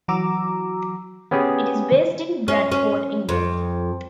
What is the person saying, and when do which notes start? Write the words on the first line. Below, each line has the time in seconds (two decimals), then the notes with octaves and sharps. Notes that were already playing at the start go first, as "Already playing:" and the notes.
It is based in Bradford, England.
0.08 E3 F#3 F#4 A#5 D6 E6
1.31 B3 C#4 G4 G#4
2.48 C#4
2.72 C#4
3.29 F2